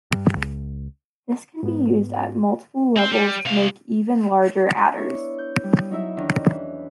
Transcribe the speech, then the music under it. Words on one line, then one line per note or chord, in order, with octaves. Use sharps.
This can be used at multiple levels to make even larger adders.
G2
C#2
G#2 B3
C4 C5
G3
C3 F5
B3 D4 E4 C#5
G6
G3
F#3 D#4 E4 E5
E2 D#3 C#4 D4
E3